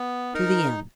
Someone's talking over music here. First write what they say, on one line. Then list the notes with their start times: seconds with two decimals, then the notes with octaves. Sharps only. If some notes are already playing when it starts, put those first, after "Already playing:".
"To the end."
Already playing: B3
0.34 D#4 A#4